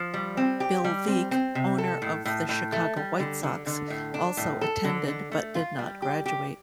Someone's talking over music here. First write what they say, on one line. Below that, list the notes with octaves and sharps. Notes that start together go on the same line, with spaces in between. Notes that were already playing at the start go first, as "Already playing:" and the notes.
Bill Veeck, owner of the Chicago White Sox, also attended but did not graduate.
Already playing: F3
G3
C4
G4
G3
C4
C4
C3
A4
A2
A2
A2
A3
G3
D3
D3
D3
A2
D4
A2
A4
D3
D3
A3
F4
G3
G4
G4